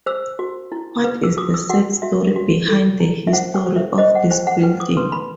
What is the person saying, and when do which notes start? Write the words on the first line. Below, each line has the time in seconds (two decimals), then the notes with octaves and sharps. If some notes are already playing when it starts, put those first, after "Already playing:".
What is the sad story behind the history of this building?
0.06 C5 E6
0.39 F#4
0.72 E4
1.04 B4
1.24 E6
1.37 F#4 D#6
1.54 E6
1.70 F#4 F#5
2.02 F#4 E5
2.36 F#4
2.68 A4
3.00 E4
3.27 E5
3.33 C5 F#5
3.54 G5
3.66 C5
3.76 E5
3.98 C5 D#5
4.15 F#5
4.30 C5 G5
4.47 F#5
4.63 B4 G5
4.80 D#6
4.97 B4 C6
5.12 B5